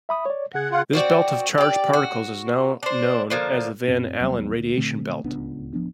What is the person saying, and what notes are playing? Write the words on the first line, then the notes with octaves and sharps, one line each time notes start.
This belt of charged particles is now known as the Van Allen radiation belt.
E5 B5 D#6
C#5 D5
C#3 G#4 F#5 G#6
F4 F#5
C4 F#4 D5
G4 D5
F#4
D4 C5
D3 F3 A#3
F#2 A#2 C4
D#2 F#3 G3 B3
D2
A#2 D3 A3 C4
D1 C#2 B3 D4
D1 F3 B3 D4